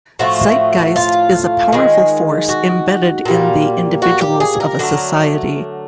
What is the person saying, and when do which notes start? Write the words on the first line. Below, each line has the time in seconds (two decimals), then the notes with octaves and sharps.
Zeitgeist is a powerful force embedded in the individuals of a society.
0.19 A2 F3 A3 F#4
0.96 F4
1.72 D#3 G#3
2.49 F#4
3.25 A#2 G3 A#3
4.02 F#4
4.21 G4
4.40 G#4
4.60 A#4
4.79 D3 F#3 A3